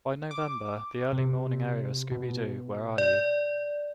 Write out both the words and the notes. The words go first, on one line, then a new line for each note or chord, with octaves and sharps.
By November, the early-morning airing of Scooby-Doo, Where Are You!
D6
C3
B2
D5